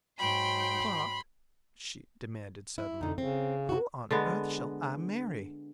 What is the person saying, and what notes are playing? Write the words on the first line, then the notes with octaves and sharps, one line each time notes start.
"Clark," she demanded suddenly, "who on earth shall I marry?"
G#2 F#3 G5 B5 C6
E4
F2 D3 D#4
C#3 C4
C3 F#4
D3 G#3 B3